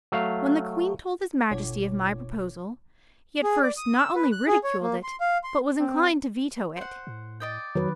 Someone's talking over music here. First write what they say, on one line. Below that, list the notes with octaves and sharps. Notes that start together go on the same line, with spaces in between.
When the Queen told his Majesty of my proposal, he at first not only ridiculed it, but was inclined to veto it.
F#3 A3 F5
G1 B2 C#5 D6
G#4
D5
D#6
E6
B4
F#6
G#4
C#5
A#3
C6
F5
C6
C4
C5 F#5
A2
D5 D#5 G5
F2 D#3 F#3 B4